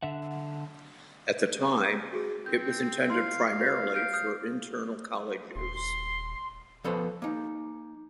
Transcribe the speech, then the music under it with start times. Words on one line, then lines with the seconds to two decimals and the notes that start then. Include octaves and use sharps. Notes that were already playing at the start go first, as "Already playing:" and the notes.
At the time, it was intended primarily for internal college use.
0.03 D3 E5 F#5
2.13 F#4 G#4
2.46 C4 G6
3.10 E4 F5 C6
3.59 F#4 B4 C5
3.94 F5 F6 G6 D7
4.13 D#6 F6 G6
5.56 D#1 C6
6.84 F3 B3 A4 B4 C5
7.22 A#3 D#4